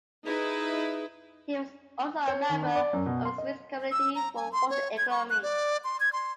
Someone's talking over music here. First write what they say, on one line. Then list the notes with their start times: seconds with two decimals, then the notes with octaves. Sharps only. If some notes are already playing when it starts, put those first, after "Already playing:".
He was also a member of the Swiss Committee for Water Economy.
0.25 D#4 E4 G#4 B4
2.28 C#5
2.49 D#3
2.63 D4
2.76 D5
2.93 F#2
3.06 B2
3.25 C6
3.38 D#5
3.92 E6
4.16 A#5
4.36 G#5
4.52 C6
4.70 C#5
4.97 G#6
5.11 C#6
5.30 F#6
5.43 D5
5.84 C6
6.00 G#6
6.13 C6